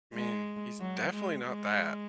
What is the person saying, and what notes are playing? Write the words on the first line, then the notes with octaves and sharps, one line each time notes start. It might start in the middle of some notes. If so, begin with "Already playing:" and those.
I mean, he's definitely not that.
G#3
F#3
G#3
G#3